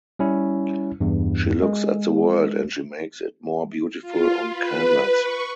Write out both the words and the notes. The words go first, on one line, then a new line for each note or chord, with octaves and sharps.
She looks at the world and she makes it more beautiful on canvas.
G3 C#4 E4
E2 G2
G#3
F4
B4
C#6